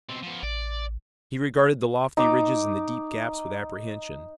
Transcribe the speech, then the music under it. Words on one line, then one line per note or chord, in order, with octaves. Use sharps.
He regarded the lofty ridges and the deep gaps with apprehension.
B2 C4
F3 B3
A1 D5
D#4 D6